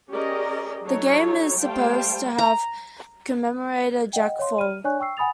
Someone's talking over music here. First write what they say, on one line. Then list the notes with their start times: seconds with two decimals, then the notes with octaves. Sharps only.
The game is supposed to have commemorated Jack Foll.
0.11 C#4 G4 G#4 A#4 D5 D#5
0.84 F#3 D#4 A4 C#5
1.60 G3 A3 C5 F5 G5 A5
2.38 A#5
4.13 D#5 F#5 G5
4.39 C#5 F5 C6
4.58 F6 D#7
4.84 D4 C#5 D5 G#5 C#6 F#6
5.00 G5 C#6 E6 C7
5.17 F#5 G#5 B5 D#6 A6 F7